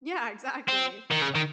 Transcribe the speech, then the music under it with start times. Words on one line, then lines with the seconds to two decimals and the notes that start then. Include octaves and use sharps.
Yeah, exactly.
0.68 C4
1.11 D#3
1.21 C#3
1.35 D#3